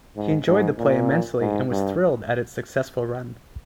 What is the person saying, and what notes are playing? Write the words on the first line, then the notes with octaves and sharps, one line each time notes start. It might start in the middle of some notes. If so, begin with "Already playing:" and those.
He enjoyed the play immensely and was thrilled at its successful run.
G#2
G#2
A#2
G#2
G2